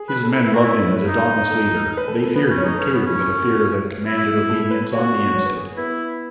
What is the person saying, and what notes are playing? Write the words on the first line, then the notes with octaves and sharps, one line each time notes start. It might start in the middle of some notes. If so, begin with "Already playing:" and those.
His men loved him as a dauntless leader; they feared him, too, with a fear that commanded obedience on the instant.
Already playing: G#4
B4
A4
E4
E4 B4
F#4
E4 C#5
B4
D#4
A4
B4
A4
A4
B3 B4
C#4
C#5
D#4
A4
C#4 B4
B3
C#4
F#4
E4
A4
B4
F#4 C#5
C#5
B4
G#4
B3 E4